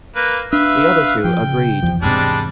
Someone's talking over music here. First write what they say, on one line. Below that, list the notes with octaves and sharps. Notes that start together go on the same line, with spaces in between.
The other two agreed.
A#3 B4
D4 B4 E5 F5
F3 G5
C#3
E2 F3
E2 G#2 C3 G3 G#3 D4